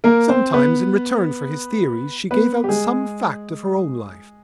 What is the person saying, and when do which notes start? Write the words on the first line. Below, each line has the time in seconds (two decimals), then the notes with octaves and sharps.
Sometimes in return for his theories she gave out some fact of her own life.
0.04 A#3 A#4
0.29 C4 C5
0.54 B3 B4
2.31 B3 B4
2.64 G4
2.69 G#3 G#4